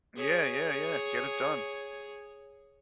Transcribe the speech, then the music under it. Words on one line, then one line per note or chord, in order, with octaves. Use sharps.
Yeah, yeah, yeah, get it done.
G#4 C#5